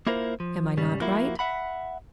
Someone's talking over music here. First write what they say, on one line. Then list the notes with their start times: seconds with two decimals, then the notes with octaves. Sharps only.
Am I not right?
0.07 A#3 E4 F4 A#4 C5
0.40 F3
0.77 G#2 C#3 G3
1.00 F3 A#3 E4 F#4
1.39 E5 F#5 B5